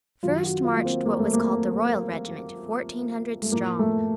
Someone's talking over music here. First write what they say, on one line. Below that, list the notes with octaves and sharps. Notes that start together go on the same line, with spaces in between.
First marched what was called the Royal regiment, fourteen hundred strong.
F#2 D#3 F#3 F4
F#4
F4
A#3
C4
A#3
A3
A#3
A3
A2 F3 A#3
A3